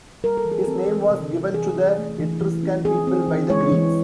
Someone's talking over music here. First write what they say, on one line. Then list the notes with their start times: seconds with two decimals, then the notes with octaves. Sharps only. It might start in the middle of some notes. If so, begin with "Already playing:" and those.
His name was given to the Etruscan people by the Greeks.
0.24 G3 A#4
0.37 A4
0.45 E3
0.52 G#4
0.64 C4 A4
0.89 E3
1.11 C3
1.32 C3
1.54 E3 G#4
1.76 C#4
1.98 A3
2.20 E3
2.41 E3
2.63 C#4
2.85 C4 G#4
3.07 C4
3.28 E3
3.50 G#3 C#5
3.72 E3